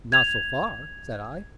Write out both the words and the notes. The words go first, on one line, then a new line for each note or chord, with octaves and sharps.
"Not so far," said I.
G#6 F7